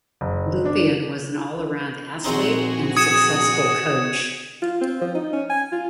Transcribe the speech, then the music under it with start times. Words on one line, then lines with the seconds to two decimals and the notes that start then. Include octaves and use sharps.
Lupien was an all-around athlete and successful coach.
0.21 F#1
0.65 D4
2.24 A#1 C4 D#4 F#4 G#4
2.97 D#6 G#6 C#7 E7
4.62 F4
4.81 C4
5.01 F3
5.15 D#4
5.33 C#4
5.49 G#5
5.72 F4